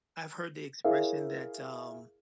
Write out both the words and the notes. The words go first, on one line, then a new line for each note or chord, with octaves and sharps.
I've heard the expression that, um
E4 G#4 A#4 C#5 E5 F5